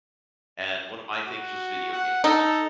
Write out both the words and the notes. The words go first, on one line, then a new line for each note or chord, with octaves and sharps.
And, one of my things was video games.
F#4
F#5
D#4 A4